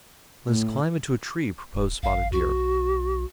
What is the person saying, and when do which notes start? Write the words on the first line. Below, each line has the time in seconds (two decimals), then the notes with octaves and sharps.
"Let us climb into a tree," proposed Spotted Deer.
0.48 A2
1.77 D1
2.03 G#1 F5
2.32 B1 F#4